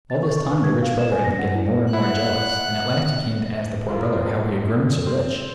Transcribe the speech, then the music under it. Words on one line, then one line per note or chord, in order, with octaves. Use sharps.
All this time the Rich Brother had been getting more and more jealous, and at last he came to ask the Poor Brother how he had grown so rich.
A6
C#6
C#6
B4
G#6
F5
E7
G#5
A#6
F#5
E4
E4 F#5 F#6
G#3 E4 F4 A#4
C4